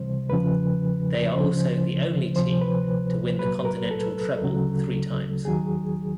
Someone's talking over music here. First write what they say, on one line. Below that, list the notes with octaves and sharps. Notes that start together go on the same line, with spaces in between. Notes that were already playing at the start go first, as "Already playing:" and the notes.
They are also the only team to win the continental treble three times.
Already playing: C#2 C3 E3 G3 C5
E2 C#3 F3 B4
D2 C#3 F3 C5
D2 C3 F3 C5
B4
C2 A#2 F#3 B4
A#4
A4
D2 C#3 F#3
D#2 D#3 F#3 G#4